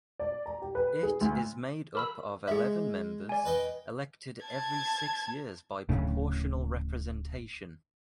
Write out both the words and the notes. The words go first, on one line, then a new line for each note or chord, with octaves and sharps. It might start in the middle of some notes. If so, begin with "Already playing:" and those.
It is made up of eleven members, elected every six years by proportional representation.
D5
A#5
G4
B4
G#4
D2
A#4 B5 E6
G#3 G#4 E5
D5 G#5
B4 D#5 G5
A5 G#6
D1 A2 C#3